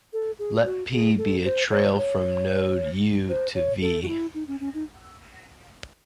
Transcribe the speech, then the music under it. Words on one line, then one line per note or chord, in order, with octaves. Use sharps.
Let "P" be a trail from node "u" to "v".
A4
G#4
F#4
G#4
A4
C5
C#5
C#5
C5
C#5
A4
F#4
E4
D#4
C#4
C#4
D#4